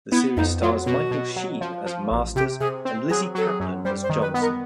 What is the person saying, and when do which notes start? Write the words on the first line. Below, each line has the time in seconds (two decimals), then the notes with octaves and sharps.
The series stars Michael Sheen as Masters and Lizzy Caplan as Johnson.
0.11 B3 E4
0.37 F2 D#4
0.62 F#3 F4
0.86 B2 F#4
1.11 B2
1.36 F#3
1.61 F3
1.86 F3
2.11 A1
2.36 C3 G4
2.60 C3 G#4
2.85 C4
3.10 F#3 G#4
3.35 F#3 A4
3.47 G#4
3.60 F#2
3.85 G3 C5
4.03 C5
4.09 D#3
4.22 B4
4.34 B3
4.41 A#4